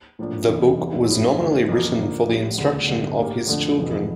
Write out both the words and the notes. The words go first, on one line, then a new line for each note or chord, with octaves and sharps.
The book was nominally written for the instruction of his children.
A2 F3 A#3 D4
F1 E2 E3
E2 E3 G3
G2 F3 C#4 E4
G1 F2 D3 A3
F2 E3 A#3 C#4
D2 D3 F3 A#3
A#1 A2 G3
E1 D2 C#3
G1 G2 D3 A3 D4
A2 G3 A#3
F2 D3 A3 D4
F1 F2 E3